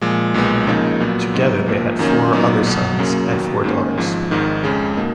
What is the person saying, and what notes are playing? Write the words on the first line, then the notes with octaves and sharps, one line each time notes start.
Together they had four other sons and four daughters.
A#2 F3 G#3
B1 A#2 G#3 B3
C#2 C#3 F3 A#3 D#4
A#2 F#3 B3
G#2 F#3 B3 D#4
A#1 A#2 F3 A#3
F#2 D#3 A#3 C#4
A#2 F#3 B3 D#4
B1 B2 F#3
F#2 C#3 F#3 A#3
D#2 D#3 F#3 B3
G#2 D#3 A#3 C#4
G#1 G#2 F3
G#1 G#2 D#3
F2 C#3 G#3
B2 A#3 D#4